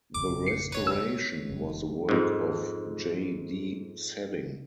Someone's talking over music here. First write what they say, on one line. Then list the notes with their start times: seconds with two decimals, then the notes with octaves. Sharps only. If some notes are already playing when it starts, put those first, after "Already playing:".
The restoration was the work of J. D. Sedding.
0.15 G#1 F2 C#3 D6
0.47 C7 C#7
0.72 B4 C#5
0.87 E6
1.50 F1 G3
2.09 F2 G#2